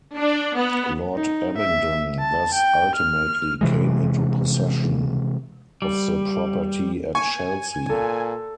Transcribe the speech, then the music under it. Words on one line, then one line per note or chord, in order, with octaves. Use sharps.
Lord Abingdon thus ultimately came into possession of the property at Chelsea.
D4
B3
D#4
E5
A5
G5
F6
C3 E3 G#3
G3
G#5 C#6
A#2 A4